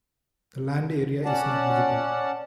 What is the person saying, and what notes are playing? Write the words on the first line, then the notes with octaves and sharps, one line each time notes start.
The land area is negligible.
C#4 D5 F#5 A5